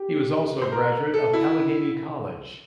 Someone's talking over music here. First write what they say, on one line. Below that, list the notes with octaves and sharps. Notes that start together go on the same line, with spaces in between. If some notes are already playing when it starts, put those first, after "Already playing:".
He was also a graduate of Allegheny College.
Already playing: G4
C5
A#4
A4
E4